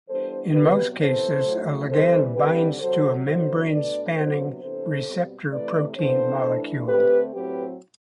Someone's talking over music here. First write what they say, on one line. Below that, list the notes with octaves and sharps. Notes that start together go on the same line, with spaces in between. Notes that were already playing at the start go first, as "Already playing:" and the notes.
In most cases, a ligand binds to a membrane-spanning receptor protein molecule.
E3 G3 B3 D4 A4 C5
C3 F#3 B3 G4 B4
C3 E3 B3 A4 C5
A2 F#3 A3
E3 G3 C4 A4 C5
D3 G3 C4 G4 B4
C3 F#3 C4 A4 C5
D3 F#3 B3 D4 A4 C5
B2 A3 D4 B4 D5
C3 F#3 B3 D4 A4 C5
C3 E3 B3 D4 A4 C5
B2 G3 C4
C3 E3 A3 B4 D5
E3 B3 D4 A4 C5
E3 A3 D4
D3 A3 C4 G4 B4
A2 F#3 C4 G4 B4